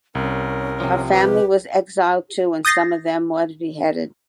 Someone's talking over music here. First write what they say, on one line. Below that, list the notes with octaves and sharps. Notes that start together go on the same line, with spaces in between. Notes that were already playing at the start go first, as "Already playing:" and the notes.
Her family was exiled too and some of them was beheaded.
C2 C#4 A#4
C3 F3
G4 B4
D#6 G6 A6 A#6 C7